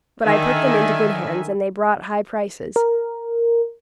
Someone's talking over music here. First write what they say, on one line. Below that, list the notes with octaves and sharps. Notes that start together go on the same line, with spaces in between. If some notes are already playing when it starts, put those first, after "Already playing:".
But I put them into good hands, and they brought high prices.
D3 D#3 E5 G#5
A#4